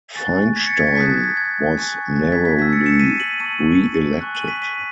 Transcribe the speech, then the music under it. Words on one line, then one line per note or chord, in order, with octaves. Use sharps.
Feinstein was narrowly re-elected.
G#5 C#6 F#6 A6
G#6 B6
A6 C#7
G#6 B6
A6
A5 D#6 F#6 G#6 B6
G#6
G#6
G#6
G#5 C#6 F#6
A6
G#6 B6
G#6 B6
A5 E6 G#6 B6
A6 C#7
C#7 E7
B6 D#7
D#7 F#7
A5 C#6 E6 D#7 F#7
G#5 C#6 F#6
D#7 F#7
B6 D#7
B6 D#7